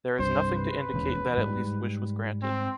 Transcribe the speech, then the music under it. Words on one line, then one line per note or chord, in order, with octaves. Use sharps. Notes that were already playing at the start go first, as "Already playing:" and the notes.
There is nothing to indicate that at least wish was granted.
C2 G2 C5
B4
E1 D#2 C#3
G#2 G3
C4